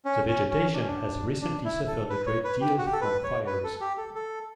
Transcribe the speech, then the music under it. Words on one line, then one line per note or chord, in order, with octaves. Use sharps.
The vegetation has recently suffered a great deal from fires.
C#4
C#4
C#4
D4
C#4
D4
D4
E4
A4
B4
C#5
B4
G4
F#4
G4
A4
B4
C#5
B4
A4
G4
A4
A4